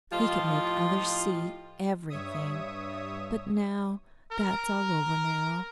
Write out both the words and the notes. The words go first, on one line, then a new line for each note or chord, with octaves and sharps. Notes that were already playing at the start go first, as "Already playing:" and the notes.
He could make others see--everything. But now--that's all over now.
A2 F3 F4 G4 D#5
G2 C#5 E5 D#6
A#4